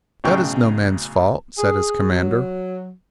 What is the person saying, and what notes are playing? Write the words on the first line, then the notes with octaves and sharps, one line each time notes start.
"That is no man's fault," said his commander.
B1 A2 C#3 G#4 G5 C#6
G#4
F#3